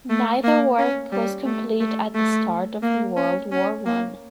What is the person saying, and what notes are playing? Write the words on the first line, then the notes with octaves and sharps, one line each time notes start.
Neither work was complete at the start of World War One.
A3
A#3
C#4
G3
A3
A3
A3
A#3
C#4
C#4
A#3